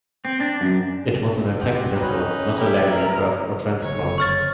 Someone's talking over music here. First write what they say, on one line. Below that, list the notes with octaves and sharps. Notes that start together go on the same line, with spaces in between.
It was an attack vessel, not a landing craft or transport.
C4
D4
F#2
D4
C4 F#4 G4
F3 F#3 C#4 D#4 B4
D#3
E3 E4 G4
A#4
F#1 D3 C#5
C#6 F6 A6